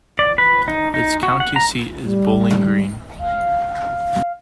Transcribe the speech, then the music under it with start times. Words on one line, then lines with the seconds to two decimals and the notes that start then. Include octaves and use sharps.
Its county seat is Bowling Green.
0.19 D5
0.38 B4
0.68 D#4
0.94 D#4
1.23 F#4
1.40 F#5
1.56 A#5
2.04 G3
3.19 F5